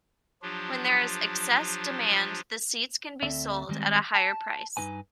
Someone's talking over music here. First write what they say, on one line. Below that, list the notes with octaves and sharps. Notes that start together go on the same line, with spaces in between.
When there is excess demand, the seats can be sold at a higher price.
F3 F#3 D4 F4 G4
D2 C4 A4 D5 E5
D#3 G3 G#3 C4
A5
G2 F3 D#4 B4 G#5